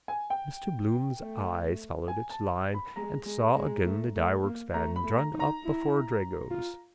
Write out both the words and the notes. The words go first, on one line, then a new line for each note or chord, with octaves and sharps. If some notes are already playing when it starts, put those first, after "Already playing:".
Mr Bloom's eye followed its line and saw again the dyeworks' van drawn up before Drago's.
G#5
G5
A3
G#5
A5
B5
G#3 A#5
G#3
G#3
A3
A3
A#3
A3 A#5
B5
A3
A#5
D#4
A#5
E4
F4